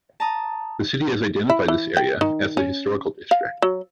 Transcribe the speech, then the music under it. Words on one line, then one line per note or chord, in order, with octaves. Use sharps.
The city has identified this area as the Historical District.
A5 A#5 D#6
E4
E3
G5
D#3
C#4
F5
F#3